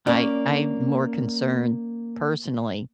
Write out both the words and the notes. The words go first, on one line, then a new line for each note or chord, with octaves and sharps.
I I'm more concerned personally
A#3 C#4 D5